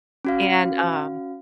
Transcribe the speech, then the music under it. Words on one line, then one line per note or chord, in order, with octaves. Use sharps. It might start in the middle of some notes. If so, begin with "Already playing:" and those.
And, um,
C#4 F#4 F5